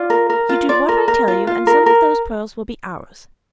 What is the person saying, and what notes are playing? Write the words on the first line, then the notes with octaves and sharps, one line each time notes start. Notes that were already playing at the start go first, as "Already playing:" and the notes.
You do what I tell you and some of those pearls will be ours.
Already playing: F4 D5
A#4
A#4
F4
F4 D5
A#4
A#4
F4
F4
A#4
A#4